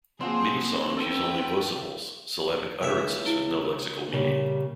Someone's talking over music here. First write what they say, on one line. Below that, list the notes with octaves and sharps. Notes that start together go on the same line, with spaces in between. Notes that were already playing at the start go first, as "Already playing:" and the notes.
Many songs use only vocables, syllabic utterances with no lexical meaning.
F3 A#3 C4 G#4 F#5 C6
A4 B4 G5
C#2 C#3 C#5 E5
E4 D7 G7
A#4
A#2 C#3 G3